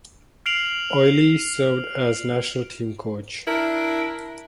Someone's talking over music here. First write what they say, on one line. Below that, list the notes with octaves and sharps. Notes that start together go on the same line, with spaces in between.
Ollie served as national team coach.
F6 C7 D7 F7 F#7
D4 E4 A#4